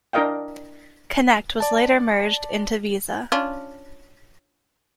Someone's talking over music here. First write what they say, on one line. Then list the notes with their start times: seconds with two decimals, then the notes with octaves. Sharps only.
Connect was later merged into Visa.
0.13 D4 E4 A#4 D#5 F5 G5
1.60 D5 A5
3.32 C#4 D4 F4